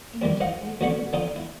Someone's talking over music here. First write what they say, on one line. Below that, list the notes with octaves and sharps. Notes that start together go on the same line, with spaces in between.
Indeed I do.
D#3 E3 G3 C4
C5 D#5 F5 F#5
D2 B2 D3 F#4 B5 C#6
D3 F3 C4 D#4 C5 D#6
E4